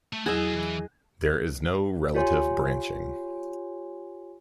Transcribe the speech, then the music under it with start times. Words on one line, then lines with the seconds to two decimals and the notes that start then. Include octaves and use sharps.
There is no relative branching.
0.13 A3
0.26 E2 F#3 E4 F#4 G#4 D#5 E5
0.55 E3
2.15 F4 G4 C#5 G#5 C6